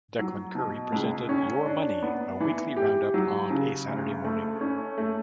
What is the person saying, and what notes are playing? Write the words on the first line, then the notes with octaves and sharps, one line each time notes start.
Declan Curry presented "Your Money", a weekly round-up on a Saturday morning.
F#3
B2
C#2
C#4
D4
B3
E3
G4
F#3
C#3
D2
A3
C#4
A3